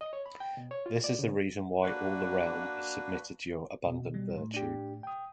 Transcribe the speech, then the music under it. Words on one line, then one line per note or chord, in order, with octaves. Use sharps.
This is the reason why all the realm has submitted to your abundant virtue.
D#5
C#5
B5
G5
B2
C#5
F4
D5
C#3
A#3 D4 F#4 B4
B2
G3
A2
D4 G4
G5 D#6